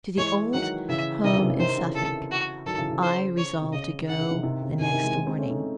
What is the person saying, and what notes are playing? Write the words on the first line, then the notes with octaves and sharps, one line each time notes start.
To the old home in Suffolk I resolve to go the next morning.
E3 G#3 C#5
D#3 F#3 F#5
C#3 E3 E5
C3 D#3 D#5
C#3 E3
C#3 E3
C3 D#3 C5
C#3 E3
A4
F#4
D#3 F#3 A4
C#3 E3
C#3
C5
C#5
C3
C#3 D#5
D#3 F#5
C#3
C3 D#3
C3 D#3
C#3
C3 D#3 G#5
C3 D#3
E3 G#3
G#3 C4
G#3 C4
A3 C#4
C4 D#4